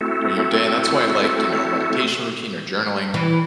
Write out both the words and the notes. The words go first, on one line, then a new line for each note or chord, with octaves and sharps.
during your day and that's why I like, you know, meditation routine or journaling,
A3 C4 E4 F#4 A4
E3